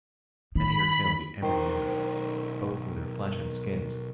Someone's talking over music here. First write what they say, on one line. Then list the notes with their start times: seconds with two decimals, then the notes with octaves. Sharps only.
Many are killed every year, both for their flesh and skins.
0.55 D#3 B5
1.42 B1 D#3 C5